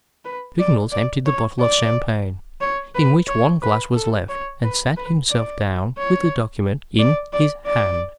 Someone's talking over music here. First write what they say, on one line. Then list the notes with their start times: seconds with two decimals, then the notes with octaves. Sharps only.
Vignolles emptied the bottle of champagne, in which one glass was left, and sat himself down with the document in his hand.
0.25 B4
0.59 D5
0.92 D5
1.26 C#5
1.60 D5
2.61 C#5
2.95 B4
3.28 C#5
3.62 B4
3.95 A4
4.29 C#5
4.64 B4
4.97 B4
5.30 D5
5.98 C#5
6.99 D5
7.33 D5
7.66 D5